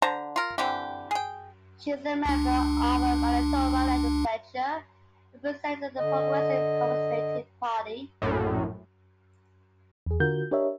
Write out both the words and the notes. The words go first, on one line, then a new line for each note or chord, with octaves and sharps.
She is a member of the Manitoba legislature, representing the Progressive Conservative Party.
D3 C5 A5 A#5
F4 A#4
D3 E3 C4 G4
G#4 G5
C#2 D4
D3 D#5
A#1 F#2 A2
E2 G#4
D3 F4 F#4 A#4 G6
D4 G4 A#4 C#5 D#5 E5